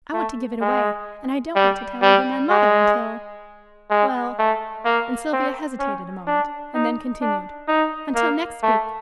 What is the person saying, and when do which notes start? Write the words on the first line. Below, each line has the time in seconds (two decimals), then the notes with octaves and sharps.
I want to give it away, and I don't want to tell even my mother until--well," and Sylvia hesitated a moment, and then continued, "until next week.
0.14 A3
0.61 G#3
1.55 G3
2.02 G3
2.50 G#3
3.91 G#3
4.39 A3
4.85 A#3
5.33 C4
5.80 C#4
6.27 D4
6.74 D#4
7.21 D4
7.68 D#4
8.15 A#3
8.63 A3